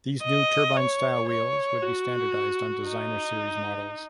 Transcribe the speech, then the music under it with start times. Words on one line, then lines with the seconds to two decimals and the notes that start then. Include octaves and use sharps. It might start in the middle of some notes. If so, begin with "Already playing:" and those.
These new Turbine Style wheels would be standard on Designer Series models.
0.24 D#5
0.77 C#5
1.29 C#5
1.82 F#4
2.88 D#4